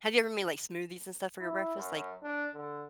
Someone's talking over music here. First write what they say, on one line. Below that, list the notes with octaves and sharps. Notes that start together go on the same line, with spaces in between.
Have you ever made, like, smoothies and stuff for your breakfast, like
E4
F#2
D4
D3